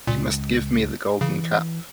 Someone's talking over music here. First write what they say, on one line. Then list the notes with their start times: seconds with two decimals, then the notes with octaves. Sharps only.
You must give me the Golden Cap.
0.07 C#2 A#2
1.21 C#3 E3